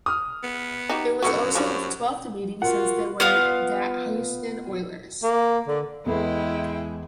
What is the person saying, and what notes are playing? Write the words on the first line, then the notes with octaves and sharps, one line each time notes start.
It was also the twelfth meeting since they were the Houston Oilers.
D#6 F6
B3
D#4 F#4 G4
F#2 D3 E3 B3 F#4 C#6 C#7
F3 G3 B5
F4 F#4 A#4 F#5
B3 F4 F5 D#6
A#3
D3
E2 G#3 E4 A4 B4 G5